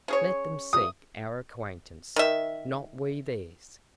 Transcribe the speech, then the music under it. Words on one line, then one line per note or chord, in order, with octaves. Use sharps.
Let them seek our acquaintance, not we theirs.
C#4 G#4 C#5
D#6
D#3 E5